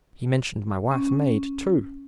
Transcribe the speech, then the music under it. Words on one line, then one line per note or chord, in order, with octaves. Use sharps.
"He mentioned my wife's maid, too!"
C#4